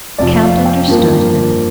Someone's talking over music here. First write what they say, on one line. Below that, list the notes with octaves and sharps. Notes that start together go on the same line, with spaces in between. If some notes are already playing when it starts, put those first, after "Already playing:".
The count understood him.
F1 F2 C3 F3 D5
F5
G5
G2 F3 A#3